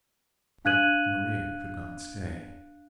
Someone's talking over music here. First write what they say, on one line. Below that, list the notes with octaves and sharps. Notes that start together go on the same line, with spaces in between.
But Maria could not stay.
D4 F5 F#6 G#6 D#7 F#7